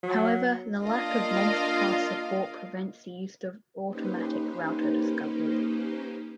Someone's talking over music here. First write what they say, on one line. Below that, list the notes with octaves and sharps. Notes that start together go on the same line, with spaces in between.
However, the lack of multicast support prevents the use of automatic Router Discovery.
F#3
A#3 D4 F4 D5 D#5 F5
A#3 C#4 D#4 G4 B4 C5